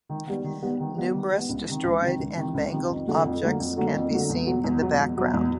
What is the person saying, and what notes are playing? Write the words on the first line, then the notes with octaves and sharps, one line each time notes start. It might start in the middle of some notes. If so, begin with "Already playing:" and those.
Numerous destroyed and mangled objects can be seen in the background.
D#3
G3 B3
D#3
G3 B3
D#3
G3 B3
D#3
G3
B3
C#2
C3 D#3
C#2
C3 D#3
C#2
C3 D#3
C#2
C3 D#3
F2
D3 F#3 A#3
F2
D3 F#3 A#3
F2
D3 F#3 A#3
F2
D3 F#3 A#3
E2
B2 F#3
E2
B2 F#3
E2
B2 F#3
E2